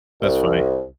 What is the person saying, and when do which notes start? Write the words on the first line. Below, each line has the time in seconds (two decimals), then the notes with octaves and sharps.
That's funny.
0.22 C2